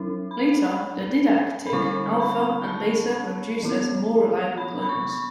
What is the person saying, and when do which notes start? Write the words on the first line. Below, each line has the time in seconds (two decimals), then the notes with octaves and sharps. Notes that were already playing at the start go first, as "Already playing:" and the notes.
Later, the Didaktik Alfa and Beta were produced as more reliable clones.
Already playing: F#3 C#4 E4
0.31 B5
1.67 B5
1.73 D3 G3 C#4 E4 C#6
2.20 B5
2.68 A5
3.63 E3 B3 E4
4.57 B5
4.82 B5
4.89 C#6
5.09 C#6